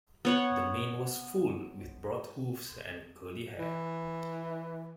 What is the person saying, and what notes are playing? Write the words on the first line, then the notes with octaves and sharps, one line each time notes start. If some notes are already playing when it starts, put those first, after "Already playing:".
The mane was full, with broad hooves and curly hair.
B3 C#5 F#5
E3